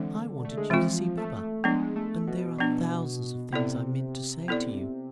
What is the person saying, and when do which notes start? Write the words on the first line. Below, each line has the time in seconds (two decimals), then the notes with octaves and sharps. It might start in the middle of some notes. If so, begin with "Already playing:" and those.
"I wanted you to see Baba, and there are thousands of things I meant to say to you."
Already playing: D3 E3 G#3 C4
0.45 A3
0.57 G#3
0.70 E3 F3 G#3 C4 F4
1.17 A3
1.64 F3 G#3 B3 D4
1.96 A3
2.27 B2
2.59 F3 B3 D4
3.53 C3 B3 E4 A4 D5
4.48 B3 E4 A4 D5